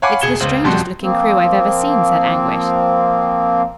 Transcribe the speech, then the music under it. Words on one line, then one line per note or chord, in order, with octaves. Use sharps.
"It's the strangest-looking crew I've ever seen," said Anguish.
C#5 F5 F#5 G#5 B5 D6
E1 G#4 G#6 C#7 E7 G7
C#2 C#3 C5 F#7
E1 F2 G3 F#4 C6
F3 A#3 C4